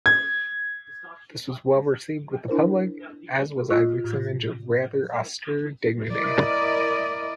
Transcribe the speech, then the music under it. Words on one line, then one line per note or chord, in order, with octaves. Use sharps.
This was well-received with the public, as was Isaacs's image of rather austere dignity.
G#6
D4 E4 A#4 C5
F4 D#5 C#6 E6 F#6
A2
E4 A#4 D5 D#5